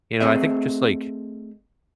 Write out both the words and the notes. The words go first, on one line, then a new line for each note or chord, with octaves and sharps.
you know, I think just like,
A3 C4 G#4 D#5 E5